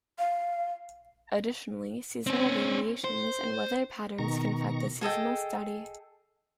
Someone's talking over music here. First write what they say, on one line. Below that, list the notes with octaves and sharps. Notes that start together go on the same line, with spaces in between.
Additionally, seasonal variations and weather patterns can affect a seasonal study.
F5
C4 C#4
C5
B2 D#3 A#5 C#6
G#4 A4 D#5 G5